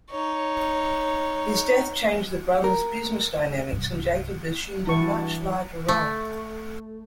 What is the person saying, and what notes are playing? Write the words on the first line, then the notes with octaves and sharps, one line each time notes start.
His death changed the brother's business dynamics and Jacob assumed a much larger role.
D#4 C#5
A#4
C2 G2
G2 E3 E4 F#4 A5 C#6
A3